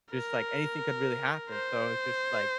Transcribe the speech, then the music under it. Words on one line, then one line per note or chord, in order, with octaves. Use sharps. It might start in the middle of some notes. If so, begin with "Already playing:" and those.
just, like, anything could really happen so it's just, like,
A#4
C5